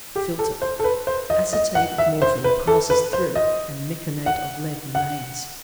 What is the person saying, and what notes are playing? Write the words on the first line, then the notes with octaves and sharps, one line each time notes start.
Filter. Acetate of morphine passes through, and meconate of lead remains.
G4
A4
C5
A4
B4
C5
D#5
D#5
F#5
E5
C5
B4
A4
B4
C5
D#5
F#5
F#5